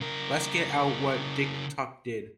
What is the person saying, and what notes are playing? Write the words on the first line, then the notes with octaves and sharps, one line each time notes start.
Let's get out what Dick Tuck did!
C#3 A#4